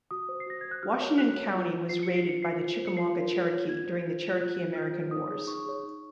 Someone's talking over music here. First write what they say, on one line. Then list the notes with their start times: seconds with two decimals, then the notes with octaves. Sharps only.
Washington County was raided by the Chickamauga Cherokee during the Cherokee-American wars.
0.11 F#4 D#6
0.29 C5
0.40 C7
0.46 F#4 A#6
0.61 C5 G#6
0.71 F#6
0.83 F#4 F6
1.00 A#4 C#5
1.18 F#4 F#6
1.36 A#4 C#5
1.54 F4
1.72 C5
1.89 F4 C7
2.03 C5 C#7
2.16 C7
2.26 F4 C#7
2.43 C5 C7
2.61 F4
2.79 C5
2.87 C#7
2.97 F4 C7
3.15 A#4 C#5
3.33 F4
3.50 A#4 C#5
3.69 F4 G#6
3.87 C5
4.05 F4
4.23 C5
4.40 F4 F#6
4.58 C5
4.75 F4 F6
4.94 C5
5.11 D#4 D#6
5.30 G#4 C#5
5.47 D#4 C#6
5.66 G#4 C#5
5.83 D#4